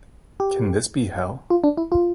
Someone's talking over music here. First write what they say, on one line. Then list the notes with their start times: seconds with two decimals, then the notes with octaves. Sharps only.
Can this be hell?
0.40 G4
1.50 F4
1.64 D4
1.77 E4
1.92 F4